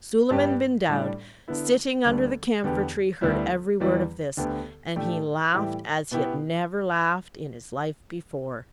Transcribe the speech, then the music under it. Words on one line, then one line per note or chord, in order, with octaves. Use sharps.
Suleiman-bin-Daoud, sitting under the camphor-tree, heard every word of this, and he laughed as he had never laughed in his life before.
G2 G3 B3 G4
A2 G3 D4
D3 B3 E4
D2 D3 G3 B3
E2 D3 B3 G4
D2 D3 G3 B3 E4
E2 E3 G3 E4
D2 D3 B3 G4
A2 A3 D4 G4
A2 E3 G3 E4 G4
B2 B3 E4 G4